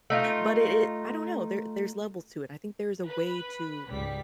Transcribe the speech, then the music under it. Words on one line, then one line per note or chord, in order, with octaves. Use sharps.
but it it I don't know, there there's levels to it, I think there's a way to
A3 D#4 F4
B4 B5
C#2 G#2 G3 B6